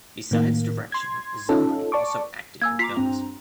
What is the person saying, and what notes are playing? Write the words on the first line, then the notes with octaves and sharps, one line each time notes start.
Besides direction Zaman also acted in films.
A2 D#3 A#3
C6 G#6
C#4 D#4 F4 A4
D5 A5 C#6 D6
A#3 G#5 E6 G#6
F4 A#5 D6 B6 C7
G2 C4 A#5